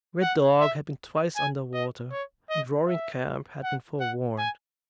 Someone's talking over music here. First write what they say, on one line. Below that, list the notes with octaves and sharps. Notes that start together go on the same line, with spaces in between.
Red Dog had been twice under water, and Roaring Camp had been forewarned.
F#5
E5
G#5
D#5
C#5
D#5
E5
F#5
F#5
G#5